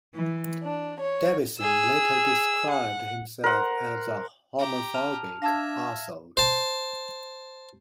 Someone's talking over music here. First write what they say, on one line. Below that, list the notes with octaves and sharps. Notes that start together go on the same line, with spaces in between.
Davidson later described himself as a "homophobic arsehole".
E3
D4
C#5
G#4 E6
F#5
A#4 C5 F#5
G4 A#5
A5 F6 F7
D4 E5 F5 A5 E6 G#6 A#6
C5 A5